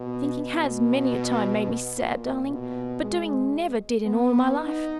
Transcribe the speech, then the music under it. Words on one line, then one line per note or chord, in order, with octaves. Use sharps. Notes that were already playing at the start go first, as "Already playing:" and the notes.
Thinking has, many a time, made me sad, darling; but doing never did in all my life.
Already playing: B2
B2
A#2
B2
G#3
B3
D#4